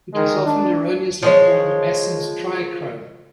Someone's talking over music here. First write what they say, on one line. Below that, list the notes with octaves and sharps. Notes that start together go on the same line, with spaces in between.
It is often erroneously called Masson's trichrome.
D#3 G#3
D4
F3 G#3 C#5